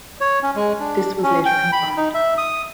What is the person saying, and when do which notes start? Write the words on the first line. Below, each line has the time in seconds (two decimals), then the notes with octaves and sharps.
This was later confirmed.
0.21 C#5
0.43 C#4
0.56 G#3
0.80 D4
1.23 C#4
1.45 G5
1.72 B5
1.97 D#4
2.14 E5
2.38 D#6